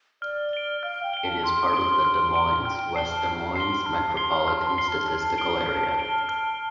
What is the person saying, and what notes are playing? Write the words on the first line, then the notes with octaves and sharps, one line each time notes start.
It is part of the Des Moines - West Des Moines Metropolitan Statistical Area.
D5 F6
D7 G7
F5 F6
G5
D7 G7
A5
C6 F6
D7 G7
F6
D7 G7
G5 F6
A5 C7 G7
F6
C6 C7 G7
A5 F6
C6 C7 G7
A5 F6
C6
C7 G7
A5
A5 F6
D7 G7
F6
D7 G7
F6